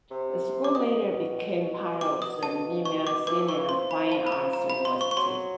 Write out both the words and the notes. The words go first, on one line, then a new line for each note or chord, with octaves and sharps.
The school later became part of the Mimar Sinan Fine Arts University.
C3
D6
B2 D#6
B2 D6
C3
B2 D#6
A5
C#6
D6
E3 D6
E3 C#6
F3 C6
B5
A5
B5
A#5
A#5
B5
C6
C#6
C#6
F#3 C6